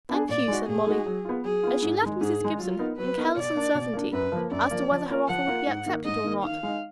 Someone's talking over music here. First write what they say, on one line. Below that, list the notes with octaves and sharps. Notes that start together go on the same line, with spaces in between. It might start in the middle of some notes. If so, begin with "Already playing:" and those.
"Thank you," said Molly: and she left Mrs. Gibson in careless uncertainty as to whether her offer would be accepted or not.
B3 D4 G#4
A#2 D5
G#3 D#4 F#4
A#2 G#4
G#3 D#4 F#4
F#3
B3 F4
F#3 G#4
B3 F4
G#2
D#3 G#3
G#2 G#4
D#3 G#3
F#3 F4
B3 D#4 A#4
F#3 B4
B3 D#4 A#4
B2 D5
A#3 D4
B2
A#3 D4
F#2 B4
F3 A#3
F#2 D5
F3 A#3
F3
A#3 F4 A#4
F3 F#5
A#3 F4 A#4
G#2
D#3 A#3
G#2 D#5
D#3 A#3
D#3 F5
G#3 D#4